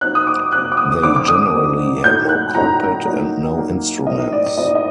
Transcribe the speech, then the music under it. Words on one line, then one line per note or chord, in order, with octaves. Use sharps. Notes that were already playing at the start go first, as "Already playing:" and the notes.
They generally had no cockpit and no instruments.
F#3 C4 D#4 F#6
D#6
D6
F#3 C4 D#4 F#6
D6
D#6
D3 A3 C4 D#4 D6
D6
D#6
D3 A3 C4 D#4
A2 F#3 A3 D#4 G6
F#6
A2 F#3 A3 D#4 A#5
F#3 A#3 D#4
F#3 A#3 D#4
A2 F#3 C4 D#4 D#5
D5
A2 F#3 C4 D#4 D#5
D#5